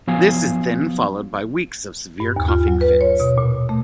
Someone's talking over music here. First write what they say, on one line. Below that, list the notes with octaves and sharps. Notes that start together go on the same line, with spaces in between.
This is then followed by weeks of severe coughing fits.
F3 F#3 B3 F5 G#5
G2
D#2
F4
F#3
B4
C#5
B2
A#2
A3